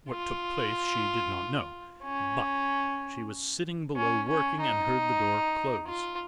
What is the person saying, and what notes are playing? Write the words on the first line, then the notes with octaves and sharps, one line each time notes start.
What took place she did not know, but she was sitting below working, and heard the door close.
F4
C#4
C#4
C#4
D#4
F4